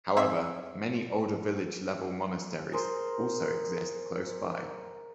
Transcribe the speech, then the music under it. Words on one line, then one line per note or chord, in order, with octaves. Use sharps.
However, many older village level monasteries also exist close by.
C4 G#4 E5
G#4 A#4 C5